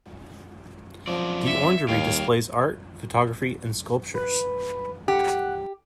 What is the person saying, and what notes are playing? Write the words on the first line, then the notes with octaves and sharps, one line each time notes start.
The orangerie displays art, photography and sculptures.
F#2 F3 C4 D5
E5
D#2 G3 C#5 F5 G5
B4
G4 F#5